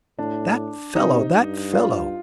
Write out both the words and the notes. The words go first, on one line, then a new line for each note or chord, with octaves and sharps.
That fellow--that fellow!'
A2 D4
C3 D#4
G2
F4